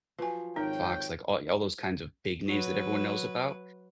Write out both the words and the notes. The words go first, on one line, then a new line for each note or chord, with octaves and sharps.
Fox, like, all all those kinds of big names that everyone knows about,
F3 F#3 B4 G#5
G#1 D#4 A#4 C#5 G5
F#3 B4